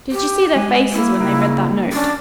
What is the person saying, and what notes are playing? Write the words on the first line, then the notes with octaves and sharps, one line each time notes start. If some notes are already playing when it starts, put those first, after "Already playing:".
"Did you see their faces when they read that note?"
G4
G#3 G#5
A#3 E4
C#3 A#3 D#4 F#4
C#4 D4